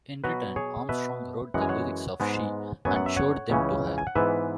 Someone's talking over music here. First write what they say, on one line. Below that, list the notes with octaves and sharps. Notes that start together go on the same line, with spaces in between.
In return, Armstrong wrote the lyrics of "She" and showed them to her.
B2 F#3 B3 F#4 B4
G#4 C#5
B2 B3 B4 E5
F#2 E3 G#3 F#5
G#5
C#5 F#5
G#2 G#3 B3
F#2 F#3 B3 G#5
F#5
E5
C#5 F#5
C#2 C#3 E3 C#4
G#5
F#5
G#2 E3 B3 B4 E5